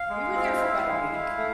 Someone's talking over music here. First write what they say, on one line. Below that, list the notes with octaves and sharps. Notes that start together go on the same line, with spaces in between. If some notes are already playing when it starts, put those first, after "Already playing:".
We were there for about a week.
Already playing: F5
G#3
C4
E4
G#3
E4
A3